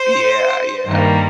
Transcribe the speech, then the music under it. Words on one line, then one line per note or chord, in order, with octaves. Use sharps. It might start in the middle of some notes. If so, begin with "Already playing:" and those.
Yeah, yeah.
Already playing: C5
G2 D#3 G3 A#3